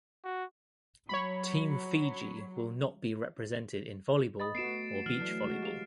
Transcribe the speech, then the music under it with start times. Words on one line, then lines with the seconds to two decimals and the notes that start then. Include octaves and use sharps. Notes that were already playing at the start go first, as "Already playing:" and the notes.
Team Fiji will not be represented in volleyball or beach volleyball.
0.25 F#4
1.09 F#3 C#5 B5
4.40 D#5 B5 D#6 A6
4.55 A3 B3 F#4 C7 D7 E7
5.06 E3 F#3 F6 E7 F#7
5.20 F#3 A3 D4
5.44 G#3 F#4
5.62 G4 F5 F7